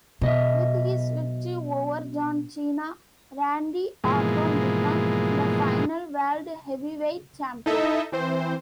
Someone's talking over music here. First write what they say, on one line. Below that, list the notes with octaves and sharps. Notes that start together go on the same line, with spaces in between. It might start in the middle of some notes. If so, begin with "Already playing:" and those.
With his victory over John Cena, Randy Orton became the final World Heavyweight Champion.
B1 B2 D#5 E5
G#2 B2 E3 F3 G#3 A#3
D#4 E4 A4 D#5 E5
E3 C4 C5